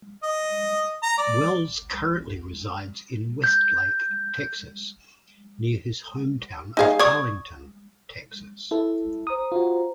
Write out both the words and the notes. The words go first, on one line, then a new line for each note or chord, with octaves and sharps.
Wells currently resides in Westlake, Texas, near his hometown of Arlington, Texas.
D#5
A#5
D5
G6
D#4 G#4 F5
D5 C#6 D#6 G#6
E4 A4
C5 A#5 D#6
F4 F#4